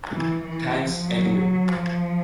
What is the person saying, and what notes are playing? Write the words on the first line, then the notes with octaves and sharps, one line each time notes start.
Thanks anyway.
E3
E3
F3
F#3
F3